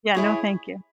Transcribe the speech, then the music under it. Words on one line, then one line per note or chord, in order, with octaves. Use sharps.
Yeah, no, thank you.
E4 G#4 C#5